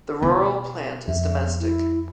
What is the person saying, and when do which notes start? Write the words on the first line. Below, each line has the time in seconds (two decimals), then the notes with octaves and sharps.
The rural plant is domestic.
0.22 B2 B3
1.08 F2 E5
1.60 E4